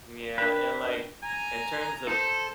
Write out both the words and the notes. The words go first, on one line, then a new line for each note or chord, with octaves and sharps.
Yeah, and like in terms of
D4 A#4 B4 G5
G#5 A#5
A4 C5